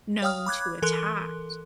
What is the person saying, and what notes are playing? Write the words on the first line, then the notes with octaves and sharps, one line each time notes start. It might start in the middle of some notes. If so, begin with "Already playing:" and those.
known to attacked.
C#5 F5 G5 D#6 F6
B5 D6 F#6 G#6
E3 A4 A#4 C6 F#6